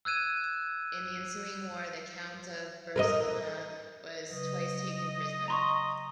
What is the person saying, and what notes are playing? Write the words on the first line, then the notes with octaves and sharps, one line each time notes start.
In the ensuing war the Count of Barcelona was twice taken prisoner.
E6 F#6 G#6 D#7 E7
A#4 B4 D#5
C#3 F#3 B4 D#5
D#5 A#5 C6 C#6